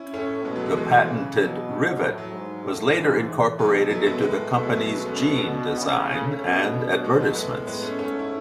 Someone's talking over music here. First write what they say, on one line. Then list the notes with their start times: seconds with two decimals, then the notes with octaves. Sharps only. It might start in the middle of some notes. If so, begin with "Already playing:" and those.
The patented rivet was later incorporated into the company's jean design and advertisements.
Already playing: C#4 E4
0.14 A2 A3 C#4
0.45 B2 G#3 B3
0.56 F#3 A3
0.66 E3 G#3
0.77 E3 G#3
0.92 E3 G#3
1.08 C#3 E3
1.39 B2 F#3
1.71 F#3
2.02 A2 F#3
2.18 F#3
2.33 G#2
2.65 A2
2.96 G#2 E3
3.20 E3
3.28 A2
3.59 B2 F#3
3.90 F#3 A3
4.06 G#3 B3
4.22 A2 G#3 B3
4.53 B2 A3
4.63 G#3
4.72 F#3 A3
4.84 F#3 A3
4.95 G#3 B3
5.05 A3 C#4
5.16 B3 D4
5.26 B3 D4
5.37 B3 D4
5.78 C#3
6.10 A3 C#4
6.21 A3 C#4
6.31 A3 C#4
6.41 B2 B3 D4
6.68 C#4
6.73 B3 D4
7.04 G#3 B3
7.20 F#3 A3
7.36 A2 G#3 B3
7.67 A2 G#3 B3
7.83 A3 C#4
7.99 G#2 A3 C#4
8.19 E4